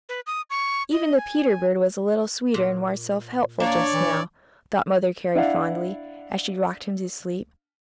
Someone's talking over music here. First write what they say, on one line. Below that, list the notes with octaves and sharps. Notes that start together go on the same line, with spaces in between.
Even the Peter-bird was a little sweeter and more self-helpful just now, thought Mother Carey fondly, as she rocked him to sleep.
B4
D#6
C#6
D#5
G#5
A#2
A#3 D4 C#5 D5
E3
D4 E4 D5 F5 F#5